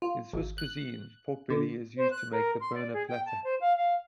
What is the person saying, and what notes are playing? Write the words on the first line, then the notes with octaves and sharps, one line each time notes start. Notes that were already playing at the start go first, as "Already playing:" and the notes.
In Swiss cuisine, pork belly is used to make the "Berner Platte".
F4
G#1
F#6
D3
C5
F#6
A#4
C6
D5
G#4
G5
A5
C5
F5
F5